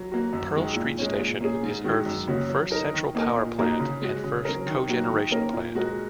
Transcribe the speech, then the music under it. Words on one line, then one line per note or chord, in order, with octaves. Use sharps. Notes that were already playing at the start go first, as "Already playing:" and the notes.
Pearl Street Station is Earth's first central power plant, and first cogeneration plant.
Already playing: F#3
A#3 F#4
F#2
D#3 G#3
A#2
G#3 C#4
A#2
A#3 C#4 G#4
G#2
D#3 G#3 F#4
F#2
C#3 A#3 C#4 F#4
F#3
D#4 A#4
D#3
A#3 D#4 A#4
A#2
A#3 D#4 F#4 A#4
C#3
G#3 F#4
C#3
F#3 C#4 A#4
D#3
F#3 A#3 F#4
D#3
A#3 C#4 A#4
A#2
G#3 F#4 A#4